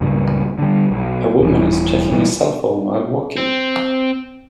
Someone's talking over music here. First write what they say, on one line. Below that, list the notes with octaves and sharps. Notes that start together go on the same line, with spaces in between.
A woman is checking a cellphone while walking.
C#2 G2 A#2
D3 G3
B1
D#1 E3
B1 G2 B2 E3
C4